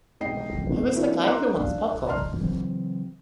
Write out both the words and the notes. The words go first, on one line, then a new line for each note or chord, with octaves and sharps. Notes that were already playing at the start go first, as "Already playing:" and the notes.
Who is the guy who wants popcorn?
B1 G#3 D#4 D#5 G5 C7
E2 B2
E3 A#3 C4 D4 E4 F#4
A#5 C6 D6 E6 F#6
D4 F5
D5 D#5 A5 A#5 C6 F6
C#3 E3 F#3 C4